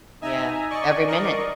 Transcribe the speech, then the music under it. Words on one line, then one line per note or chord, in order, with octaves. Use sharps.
Yeah. Every minute.
D#4 E5 G#5 A#5
D5 D#5 G#5 C#6
A#4 D5 D#5 C#6